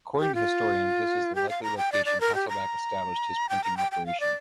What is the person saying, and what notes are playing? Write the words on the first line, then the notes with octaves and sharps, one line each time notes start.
According to historians this is the likely location Hasselbach established his printing operation.
G4
F4
G4
F5
A#5
G5
D5
D5
A#4
G4
A#5
G5
A#5
G5
G5
F5
D5